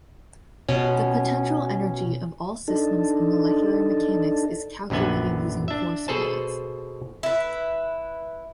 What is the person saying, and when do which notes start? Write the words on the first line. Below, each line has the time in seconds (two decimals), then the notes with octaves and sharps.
The potential energy of all systems in molecular mechanics is calculated using force fields.
0.69 B2 C#4
2.68 D4 D#4 A4
4.90 A#1 F#2 D3 B3 G#5
5.68 D4 E5
6.08 B2 G#4 A4 C5 A5
7.23 E4 B4